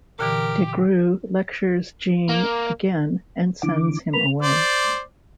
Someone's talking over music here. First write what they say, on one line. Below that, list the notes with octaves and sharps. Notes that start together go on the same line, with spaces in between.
Des Grieux lectures Jean again and sends him away.
A#2 D3 E3 G4 A#4
A#3
D3 E3 D6
A#4 B4 B5 F7
C5 D5